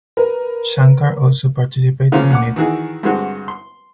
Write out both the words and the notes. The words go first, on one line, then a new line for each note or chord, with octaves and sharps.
Shankar also participated in it.
A#4 B4
C#3 F3 A#3 C#4 F4 C5
D2 F#5 D6
D#3 E3 E4 F#4 G#4
G2 D3 G3 G#3 C4 F#4
C6